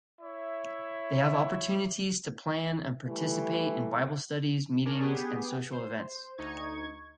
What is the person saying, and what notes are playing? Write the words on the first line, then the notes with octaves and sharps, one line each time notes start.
They have opportunities to plan and participate in bible studies, meetings, and social events.
E4 C#5 E5
E3 G3 A3
C#4 D4 A#4
B3 G4 G#4
C5
D2 D#4 C#6 G#6